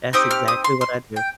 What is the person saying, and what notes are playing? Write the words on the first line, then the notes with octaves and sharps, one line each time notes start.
That's exactly what I do.
C4 D#4 G4 D#6
F6
D#6
C6
C6
G5